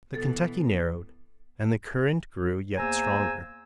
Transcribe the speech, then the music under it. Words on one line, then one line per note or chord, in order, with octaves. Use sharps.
The Kentucky narrowed and the current grew yet stronger.
B2 E3 B3 A4 A6
E2 A#3 C5 G#5 A#5 E6